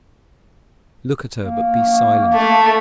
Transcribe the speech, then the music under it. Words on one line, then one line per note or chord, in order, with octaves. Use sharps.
Look at her, but be silent.
A#3
A3